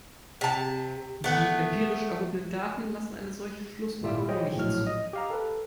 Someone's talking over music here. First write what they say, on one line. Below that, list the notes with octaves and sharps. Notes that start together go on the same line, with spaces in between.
Die empirisch erhobenen Daten lassen eine solche Schlussfolgerung nicht zu.
C3 A5
A3 B3
G#1 A#2 E4 F4 E5
G#4 C5 C#5 D#5 G5
A#1 A2 F#3 C#5 F6
D#5
G4 F5 A#5
A4 B4